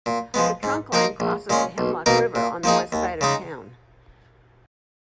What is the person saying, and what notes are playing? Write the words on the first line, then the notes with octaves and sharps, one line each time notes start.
The trunkline crosses the Hemlock River on the west side of town.
A#2
F3 G#3 B3
G#2
F3 A#3 D#4 A#4
A#1
A#2 G#3 C#4
B1
B2 A#3 D#4 A#4
A#2
F3 A#3 D#4 G#4
D#2
C#3 G#3 D#4